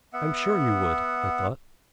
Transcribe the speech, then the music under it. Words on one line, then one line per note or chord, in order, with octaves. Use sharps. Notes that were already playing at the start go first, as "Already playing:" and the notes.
"I'm sure you would," I thought.
B3 E5 F#5